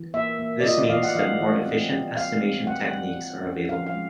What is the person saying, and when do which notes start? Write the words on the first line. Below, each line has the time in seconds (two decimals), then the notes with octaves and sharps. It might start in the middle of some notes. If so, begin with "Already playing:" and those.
This means that more efficient estimation techniques are available.
Already playing: E3
0.14 A#3 E5
0.39 A#3
0.60 D5
0.65 F4 D#5
0.78 D5
0.90 E3 F5
1.03 F#5
1.15 E3 F5
1.41 E3
1.66 C4
1.92 G3
2.17 G3 F5
2.42 C4
2.67 G3 F#5
2.93 G3
3.18 G3
3.44 C#4
3.69 F3 F5
3.86 F5
3.94 G#3